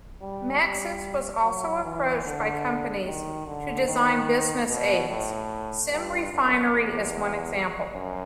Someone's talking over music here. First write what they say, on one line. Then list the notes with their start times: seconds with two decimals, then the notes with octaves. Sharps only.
Maxis was also approached by companies to design business aids; "SimRefinery" is one example.
0.21 G3
0.62 G3
1.43 F#3
1.84 E3
2.25 D3
3.06 D#3
3.47 D3
3.88 D#3
4.69 B2
5.10 A2
5.91 G2
6.32 F#2
6.73 E2
7.95 F#2